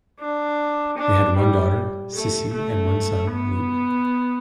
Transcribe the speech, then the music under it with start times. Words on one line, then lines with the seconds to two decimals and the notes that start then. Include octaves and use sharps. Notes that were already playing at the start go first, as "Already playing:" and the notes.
They had one daughter, Cissy, and one son, Luke.
0.20 D4
0.98 D4
1.37 G3
2.15 A3
2.54 A3
3.32 B3